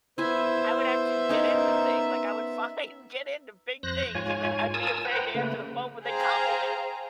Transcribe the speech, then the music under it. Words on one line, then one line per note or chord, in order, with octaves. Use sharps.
I would actually get into thing like, I would find get into big things and then I'd be afraid to answer the phone when they call me
B3 E4 C5 E5 G#5
C#4 D#4 A#4
F2 C5 F#6 A#6
G#2 F4 C#5 G#5
F4 A#4 G#5 A5 D#6 E6
B4 C5 F#5 G5 A#5
C#3 A3 A#3 B4
G#4 C5 F5 G5 A#5